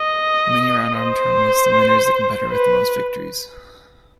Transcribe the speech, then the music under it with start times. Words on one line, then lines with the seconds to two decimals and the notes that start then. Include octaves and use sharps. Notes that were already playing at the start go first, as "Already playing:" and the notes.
In many round-robin tournaments, the winner is the competitor with the most victories.
Already playing: D#5
0.96 C5
2.51 B4